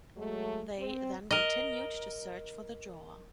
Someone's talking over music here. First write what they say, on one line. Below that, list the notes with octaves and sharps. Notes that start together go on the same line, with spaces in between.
They then continued to search for the drawer.
F#3 G#3 A3
C4
A#4 D#5